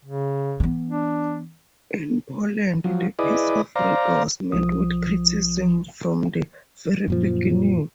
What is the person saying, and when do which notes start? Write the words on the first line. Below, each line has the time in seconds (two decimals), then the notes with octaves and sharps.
In Poland, the Peace of Riga was met with criticism from the very beginning.
0.05 C#3
0.60 E3 B3
0.89 D4
2.84 F3 F#3
3.19 E4 G#4 B4 D5 D#5
3.76 C5 D5 F5 A#5
4.52 B1 F3 D#6
7.08 F#2 A#2 F3